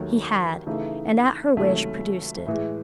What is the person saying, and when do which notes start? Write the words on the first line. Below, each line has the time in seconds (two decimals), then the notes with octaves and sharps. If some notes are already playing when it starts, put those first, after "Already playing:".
He had, and at her wish produced it.
Already playing: D#2 D#3 F#3 A3
0.67 C#3 E3 A3 D#4
1.57 C#2 C3 D#3 F#3 A3
2.46 A2 E3 G#3